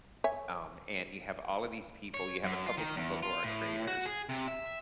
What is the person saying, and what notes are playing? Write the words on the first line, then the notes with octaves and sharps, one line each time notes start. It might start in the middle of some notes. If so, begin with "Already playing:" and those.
um, and you have all of these people, you have a couple people who are traitors,
C#5 E5 G#5
C#5
F#2
F4
D#3
E2
F4
A2
F#4
G#4
C3
E5